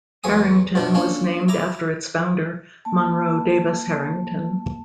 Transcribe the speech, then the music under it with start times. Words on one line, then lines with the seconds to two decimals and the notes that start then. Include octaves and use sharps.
Herington was named after its founder, Monroe Davis Herington.
0.24 E2 F#3 G#5 D#6
0.75 F#2 B2 D4
0.94 A#3 C#4 D4
1.48 E4 A#5 D6
2.85 A#3 A5